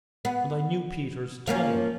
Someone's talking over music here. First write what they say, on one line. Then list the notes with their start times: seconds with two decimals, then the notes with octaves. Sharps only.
And I knew Peter's tone.
0.25 B3
1.47 F3 A#3 C#4